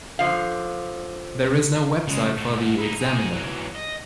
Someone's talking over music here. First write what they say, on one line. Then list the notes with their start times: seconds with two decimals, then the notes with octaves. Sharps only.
There is no website for the "Examiner".
0.19 D3 F3 F5
2.08 C#3 G#3
2.37 G#2 A3
2.78 D#4 E4
3.00 D#4 G#4
3.33 E3 F#3
3.76 D#5